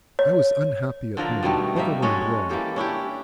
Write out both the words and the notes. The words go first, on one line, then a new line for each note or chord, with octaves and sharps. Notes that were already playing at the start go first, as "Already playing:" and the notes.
I was unhappy at home--never mind why.
C#5
D3 F3 A#4 D5
B2 D#3 G3 A3
G3 A#3 D#4 E5
G#3 C#4 F#4 A4
E3 A#3 G4 A4
C#4 D4 E4 G4